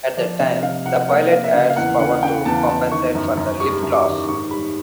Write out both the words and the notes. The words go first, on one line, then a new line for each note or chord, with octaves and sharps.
At that time the pilot adds power to compensate for the lift loss.
F3 D5
C3 D#5
C3 F5
C2 F#5
A#3 F#5
A#3 F5
E5
C#3 F5
F5
E2 F#5
C#3 F#5
C#3 G5
E2 A5
E2 A5
D#3 C#6
F#2
F#2
G3 C#6
F#2
D6
D#3
G#2 C#6
G3 B5